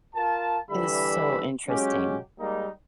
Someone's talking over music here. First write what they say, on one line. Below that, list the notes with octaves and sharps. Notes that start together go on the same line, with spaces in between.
It is so interesting.
F4 A#4 A5
D3 E3 G3 E5 B5
F#3 G#3 C#4 G4
G3 G#3 A#3 D#4